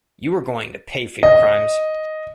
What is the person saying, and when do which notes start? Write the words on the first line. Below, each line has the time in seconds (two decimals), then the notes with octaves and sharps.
You are going to pay for your crimes.
1.23 D#5